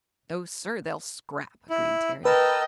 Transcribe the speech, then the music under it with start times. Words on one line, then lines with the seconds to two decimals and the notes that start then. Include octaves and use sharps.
"No, sir--they'll scrap," agreed Terry.
1.70 E4
2.25 A#4 B4 D#5 G5 A5 E6